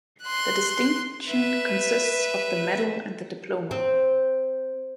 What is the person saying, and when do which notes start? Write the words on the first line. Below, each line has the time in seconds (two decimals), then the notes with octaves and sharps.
The distinction consists of the medal and the diploma.
0.23 C6 F#6
1.29 B4 E5
3.71 C4